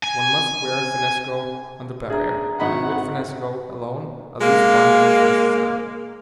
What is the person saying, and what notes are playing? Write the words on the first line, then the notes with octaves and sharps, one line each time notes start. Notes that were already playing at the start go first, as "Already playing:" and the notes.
One must wear finnesko on the Barrier, and with finnesko alone a loose binding is necessary.
G#5
D4 G#4 E5 A#5
G#1 D#5 F#5 B5
G#3 A#3